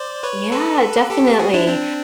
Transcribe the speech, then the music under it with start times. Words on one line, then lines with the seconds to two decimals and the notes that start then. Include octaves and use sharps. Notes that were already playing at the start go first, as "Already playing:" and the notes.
Yeah, definitely.
Already playing: C5 D5
0.23 B4 C#5
0.52 A4 B4
1.10 G4 A4
1.39 F#4 G#4
1.54 D4 E4
1.68 C4 D4